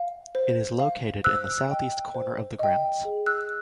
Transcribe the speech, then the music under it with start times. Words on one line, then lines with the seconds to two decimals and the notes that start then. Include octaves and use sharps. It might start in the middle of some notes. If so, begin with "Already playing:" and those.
It is located in the southeast corner of the grounds.
Already playing: F5
0.35 C5
0.80 F5
1.24 C5 E6 F#6
1.69 D#5 G5
2.14 C5
2.59 D#5 G5
3.05 G#4
3.26 E6 F#6